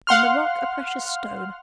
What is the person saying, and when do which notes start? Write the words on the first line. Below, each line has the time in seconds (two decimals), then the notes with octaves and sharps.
In the rock, a precious stone.
0.07 F5 F#5 C6 F6